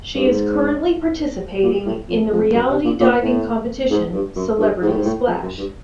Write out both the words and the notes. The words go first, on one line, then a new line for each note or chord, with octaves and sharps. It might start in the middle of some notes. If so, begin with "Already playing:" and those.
She is currently participating in the reality diving competition Celebrity Splash!
G2
G#2
A#2
A2
F2
F2
F#2
C3
A#2
A#2
A2
G#2
G2
F#2
G2
G#2
A2
G#2
A2
F2
F#2
G2